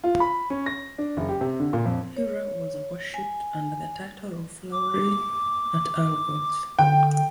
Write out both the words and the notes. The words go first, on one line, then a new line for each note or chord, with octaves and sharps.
Hera was worshiped under the title of Flowery at Argos.
F4
B5
C#4
A#6
D4
F#1
G4
C3
D3
A#2
F2
C#5
G#5
D6
D3 G5